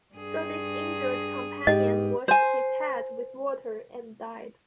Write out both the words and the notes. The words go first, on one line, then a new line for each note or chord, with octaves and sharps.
So this injured companion washed his head with water and died.
G2 G#4
G#2 G4 D#5
C5 G#5